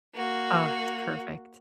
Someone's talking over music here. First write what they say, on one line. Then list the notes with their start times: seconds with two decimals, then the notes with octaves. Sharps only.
Oh, it's perfect.
0.14 A#3 F#4